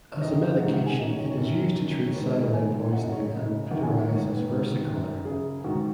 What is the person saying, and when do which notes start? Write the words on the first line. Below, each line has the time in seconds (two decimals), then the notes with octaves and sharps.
As a medication it is used to treat cyanide poisoning and pityriasis versicolor.
0.12 C#5
0.21 F#2 D#3 D#5
0.60 G#2 D#3 F#5
0.73 F#5
0.86 G#5
0.99 F#2 D#5
1.03 D#3
1.12 C#5
1.24 C#5
1.37 F#2 D#3
1.76 F#2 D#3
2.06 C#5
2.15 G#2 D#3 B4
2.28 G#4
2.41 B4
2.53 G#2 D#3 G#5
2.93 F#2 C#3 F#5
3.02 D#5
3.12 C#5
3.21 D#5
3.32 F#2 C#3
3.70 F#2 D#3 F#5
3.83 G#5
3.96 F#5
4.09 G#2 D#3 C#5
4.29 B4
4.48 G#2 D#3
4.87 F#2 D#3
5.25 F#2 C#3 G#4
5.64 G#2 D#3 F#4